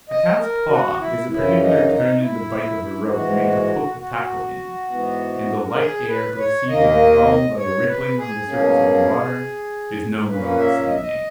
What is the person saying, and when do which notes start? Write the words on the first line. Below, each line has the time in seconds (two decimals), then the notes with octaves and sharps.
A Cat's-paw is a particular turn in the bight of a rope made to hook a tackle in; and the light air perceived in a calm by a rippling on the surface of the water, is known by the same name.
0.09 D#5
0.40 A#4
0.70 F#4
0.99 E4
1.29 F#2 C#3 E3 E4
1.59 D#4
1.90 D#4
2.19 E4
3.09 G#2 E3 G#3 F#4
3.99 F#4
4.88 G#2 E3 B3
5.66 A#4
5.78 G#4
6.08 B4
6.34 B4
6.38 C#5
6.68 D#2 D#3 A#3 D#5
7.57 C#5
7.88 B4
8.18 G#4
8.48 B2 F#3 A#3 C#4
10.28 A#2 A#3 C#4 B4
10.58 E5
10.87 D#5
10.94 E5
11.02 D#5